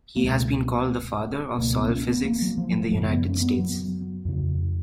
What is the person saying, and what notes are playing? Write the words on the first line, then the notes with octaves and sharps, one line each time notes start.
He has been called the father of soil physics in the United States.
A#3
C#2 B2 G#3
C#2 B2 A#3
B3
C#4
B3
A#3
F#3
F3
F3
F#2 C#3 G#3
B3
C#4
B3
F#3
F2 C#3